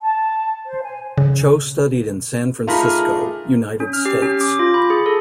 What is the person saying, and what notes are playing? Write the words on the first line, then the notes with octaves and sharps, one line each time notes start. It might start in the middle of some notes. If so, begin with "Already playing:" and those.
Cho studied in San Francisco, United States.
A5
C5
G#5
C#3
A3 D4 D#4 F4 G#4 A#4 A#5 B5
C#4
F6
G4
C#4
D6
F4
B5
G#4
A4